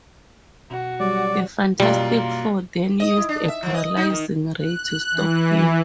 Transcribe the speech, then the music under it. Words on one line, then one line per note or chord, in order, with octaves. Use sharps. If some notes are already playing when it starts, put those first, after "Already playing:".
The Fantastic Four then used a paralyzing ray to stop him.
B2 F#4
F#3 G3 D5
F#2 B2 G3 A#3 F4
D#5
E4
D4
E5
F3
D#5
D#4
D#3
F#6
E3